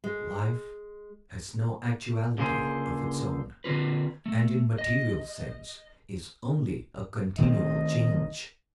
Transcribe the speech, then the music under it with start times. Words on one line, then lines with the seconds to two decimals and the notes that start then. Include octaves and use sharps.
Life has no actuality of its own, and in material sense is only a continual change.
0.04 G#3
2.38 C#2 D3 A#3 G#4 C5
3.64 D3 C4 F4 B4
4.26 A3
4.78 D#5
7.38 D#3 A3 C4 D#5